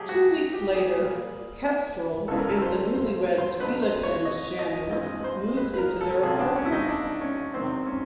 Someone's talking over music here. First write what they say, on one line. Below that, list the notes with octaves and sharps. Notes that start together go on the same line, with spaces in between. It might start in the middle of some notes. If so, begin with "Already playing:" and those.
Two weeks later, Kestrel and the newlyweds Felix and Shannon moved into their apartment.
Already playing: B2 F#3 A3 G4 G#4
F#4
G4
G#4
A#2 G3 A#3
E2 C#3 E3 G#3 B3 A4
A#4
A4
C5
C5
C5
F2 D3 F#3 B3 B4
C5
C#5
D#5
D#5
G2 E3 G#3 C4 D#5
C5
B4
B4
A#4
A4
C#2 C3 F3 G#4
D4
C#4
E4
D#4
D4
C#4
E2 C3 D#3 F#3 C4
C#4